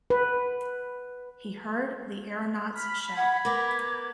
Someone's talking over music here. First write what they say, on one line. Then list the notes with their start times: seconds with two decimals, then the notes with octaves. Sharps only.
He heard the aeronauts shout.
0.10 B4
2.75 B5 F6
3.16 F#5 G#6
3.45 B3 A#4 D6